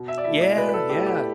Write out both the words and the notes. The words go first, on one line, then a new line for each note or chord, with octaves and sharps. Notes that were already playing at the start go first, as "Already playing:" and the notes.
Yeah, yeah.
Already playing: B2
E5
D5
A3 E4 E5
D5
B2 B4
B4
A4
A3 E4 G4
G4